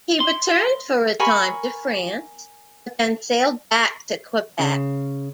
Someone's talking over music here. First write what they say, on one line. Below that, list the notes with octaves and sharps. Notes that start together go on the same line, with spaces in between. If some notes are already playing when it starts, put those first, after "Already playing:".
He returned for a time to France, but then sailed back to Quebec.
C6
A#4 G#5 B5 C#6
C#3